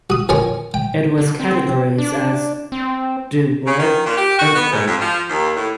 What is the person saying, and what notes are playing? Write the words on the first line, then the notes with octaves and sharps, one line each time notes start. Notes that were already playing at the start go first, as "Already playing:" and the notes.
It was categories as doublet earthquake.
F#4 D#6
F2 D#3 C#5 G#5 C#6
G5
D3
C4
D4
C4
C#3
D#3
A#2
G4
F#4
B3
G#2
F2
F3
D#2
A2